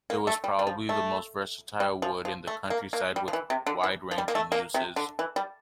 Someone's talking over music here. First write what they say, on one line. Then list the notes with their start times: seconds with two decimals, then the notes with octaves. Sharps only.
It was probably the most versatile wood in the countryside with wide-ranging uses.
0.10 A#3
0.27 A3
0.44 G3
0.59 G3
0.67 F3
0.89 A3
1.80 G3
2.02 F3
2.25 F3
2.47 A3
2.70 A#3
2.93 A#3
3.16 G3
3.28 F3
3.33 E3
3.50 C3
3.67 D3
3.83 E3
4.11 F3
4.18 G3
4.28 A#3
4.35 A3
4.52 A#3
4.74 C3
4.96 D3
5.19 E3
5.36 G3